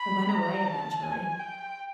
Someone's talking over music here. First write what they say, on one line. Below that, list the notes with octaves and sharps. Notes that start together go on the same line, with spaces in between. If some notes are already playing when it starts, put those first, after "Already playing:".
it went away eventually.
Already playing: B5
A#5
A5
G#5
G5